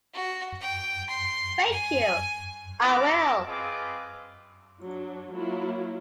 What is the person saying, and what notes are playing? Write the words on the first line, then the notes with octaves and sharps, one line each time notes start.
Thank you, I will.
F#4
G5
C6
G#5
B3 E4 C#5 A5 A#5 D6
C4 F4 G#4 B4 D#5 D6
F#3 D4
F#3 A#3 E4 F4